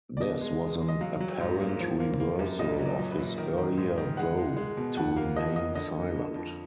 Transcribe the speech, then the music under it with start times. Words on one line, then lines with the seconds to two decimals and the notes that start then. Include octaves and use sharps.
This was an apparent reversal of his earlier vow to remain silent.
0.17 D5
0.21 B2 D#5
0.41 G#3
0.62 G#3
0.81 G#3
0.88 D#5
1.01 F#3 F5
1.21 F#3
1.40 G#2
1.60 A#3
1.80 F3
2.00 A#3
2.20 A#3
2.39 F#2
2.59 A#2 D#5
2.79 F#3
2.85 D5
2.99 F#3
3.12 B4
3.18 A#2
3.38 D#3 A#4
3.58 D#3
3.77 G#2
3.98 D#3
4.17 G#3 F#5
4.37 G#3
4.57 G#3
4.77 B2
4.97 F2 F#5
5.16 A#3 F5
5.36 F2 D#5
5.56 A#3 D#5
5.75 D3 D#5
5.95 A#3
6.16 D3
6.36 F2